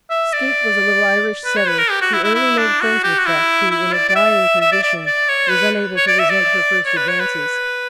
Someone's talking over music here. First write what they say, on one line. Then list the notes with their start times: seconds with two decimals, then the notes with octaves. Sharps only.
Skeet was a little Irish setter who early made friends with Buck, who, in a dying condition, was unable to resent her first advances.
0.10 E5
0.33 D5
1.45 B4
1.57 C#5
1.68 B4
1.78 A#4
1.91 G4
2.01 F#4
2.13 E4
2.24 E4
2.35 E4
2.58 D4
2.81 F#4
3.04 G4
3.19 F#4
3.26 E4
3.71 E4
3.93 D5
4.09 D5
4.16 E5
4.61 E5
4.72 D5
4.83 D5
5.06 D5
5.29 C#5
5.50 B4
5.97 C#5
6.07 D5
6.19 E5
6.30 D5
6.86 C#5
6.97 B4
7.09 C#5
7.20 B4